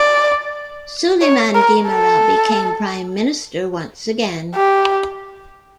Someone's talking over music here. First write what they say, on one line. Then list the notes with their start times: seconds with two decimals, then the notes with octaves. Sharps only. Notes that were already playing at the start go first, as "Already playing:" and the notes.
Suleyman Demirel became prime minister once again.
Already playing: D5
1.21 C#5
1.55 A#4
1.88 A4
4.55 G4